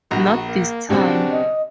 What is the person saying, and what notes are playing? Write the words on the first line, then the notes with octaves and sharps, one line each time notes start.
Not this time.
A#1 F#4 A#5
A#3
B1 C#3 C4 D4 F#4 G4
D#5